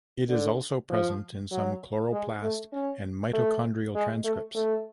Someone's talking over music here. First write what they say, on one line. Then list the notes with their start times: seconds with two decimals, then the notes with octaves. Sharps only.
It is also present in some chloroplast and mitochondrial transcripts.
0.30 D3
0.91 F3
1.52 F#3
2.12 G#3
2.43 A3
2.73 C#4
3.33 A3
3.95 G#3
4.25 A3
4.55 A3